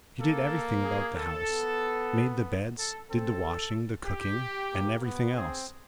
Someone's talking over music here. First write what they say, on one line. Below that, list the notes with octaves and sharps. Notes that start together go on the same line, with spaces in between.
She did everything about the house,--made the beds, did the washing, the cooking, and everything else.
A#3 A4
G#4
A4
B3
A4
C4 A4
G4
A#3
B3
C4 G#4